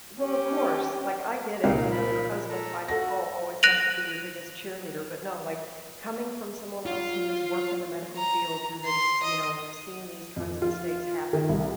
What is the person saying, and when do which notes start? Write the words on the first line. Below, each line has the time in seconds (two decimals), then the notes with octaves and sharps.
Well, of course, like I get it, you know, your husband by default always has to be your biggest cheerleader, but no, like, coming from someone else who has worked in the medical field, who has, you know, seen these kinds of mistakes happen
0.19 C#4 G4
1.64 C2 A#2 D#4 F5
1.91 A#4 B5
2.49 A4 A#5
2.88 F#4 A4 A#6
3.63 F#6 A#6 D7 D#7 F7 F#7
6.86 F4
8.16 A#5
8.85 C6
9.23 D#5
10.36 F2
10.62 F4
11.33 D#3
11.49 C2